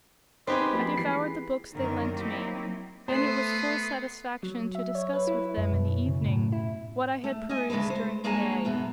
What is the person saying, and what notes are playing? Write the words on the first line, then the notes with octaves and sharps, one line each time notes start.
I devoured the books they lent me: then it was full satisfaction to discuss with them in the evening what I had perused during the day.
B3 C4 D#4 G4 G#4 C6
F3 G#3 A#3 B5
E3 G3 C7
F#2 D3 D#3 C4 C#4 A#4
F#3 A#3 C4 D#4 E4 G4
A3 B3 C5 D#6 C7
F#3
E5
C#5
B4
E4
F#2
B2
C#3
A2
E4
A3
D#5 G#5
D2 C#3 G#3 A4 B4
C5
G2 G#3 A#3 C#5 G#5 A5
F#2 B2 A3 B3